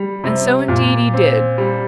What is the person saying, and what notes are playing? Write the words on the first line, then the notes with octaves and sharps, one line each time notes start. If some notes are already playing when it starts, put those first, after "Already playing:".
And so indeed he did.
Already playing: G3
C3
A#2
C4
G3